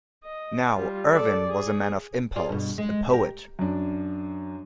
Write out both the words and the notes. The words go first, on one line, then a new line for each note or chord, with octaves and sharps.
Now Irvine was a man of impulse, a poet.
D#5
G3 F4
A4 D5
G#4
F4 G#4 D5
G2 B2
G#3
G4 A#4
F#2 D4